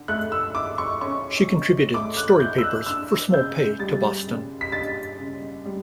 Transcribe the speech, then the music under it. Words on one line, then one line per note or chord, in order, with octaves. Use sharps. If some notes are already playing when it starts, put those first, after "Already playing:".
She contributed story papers for small pay to Boston.
Already playing: D3
A3 F#6
E6
E4 D6
C#6
C#4 C#6
D3
A3 D6
F#6
E4 G6
E6
F#6
D4 E6
C#3 G6
G3 A6
C#3
B6
D4 A6
C#3
G3